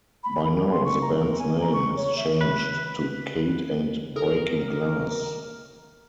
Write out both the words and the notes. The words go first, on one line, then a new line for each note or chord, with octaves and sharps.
By now the band's name has changed to "Kate and Breaking Glass".
B5
B5
A#4
C6
C#6
A#5
A#4
G#5
A#5
C#6
C#5
E5
B4
A4 A#4